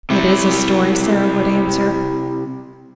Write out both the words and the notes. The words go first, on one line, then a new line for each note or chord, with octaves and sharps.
"It is a story," Sara would answer.
C3 E4